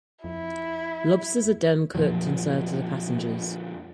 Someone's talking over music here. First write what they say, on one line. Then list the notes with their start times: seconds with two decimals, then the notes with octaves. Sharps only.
The lobsters are then cooked and served to the passengers.
0.24 F2 E4
1.95 F2 A#2 F3 F#3